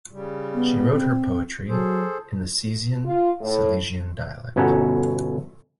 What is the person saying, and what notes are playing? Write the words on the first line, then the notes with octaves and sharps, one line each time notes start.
She wrote her poetry in the Cieszyn Silesian dialect.
C#3 G3
B3
C4
F#3 G#4 A4 C5
F4
A2
G1 B2 C#4 A4 F#5 A#5